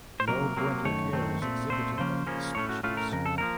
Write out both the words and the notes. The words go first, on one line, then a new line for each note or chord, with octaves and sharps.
No parental care is exhibited by this species.
C5
C3 F#3 A#3 A#4
C3 F#3 A#3
F#2 D#3 A3 C#5
F#2 D#3 A3 C4
A#2 A3 C4
A#2 A3 C4 C5
C#3 F3 A#3 C#4 C5
C#3 F3 A#3 C#4
A2 A3 C#4 C#5
F#4
A2 A3 C#4 F4
A#4
F2 C#3 A#4
A4
F3 A#3 C#4 A#4